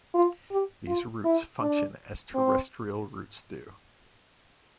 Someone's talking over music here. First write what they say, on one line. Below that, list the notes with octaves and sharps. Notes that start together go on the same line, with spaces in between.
These roots function as terrestrial roots do.
F4
G4
F4
E4
D4
C4